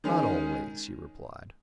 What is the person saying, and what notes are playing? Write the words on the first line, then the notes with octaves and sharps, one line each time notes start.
"Not always," he replied.
D#3 G#3 C#4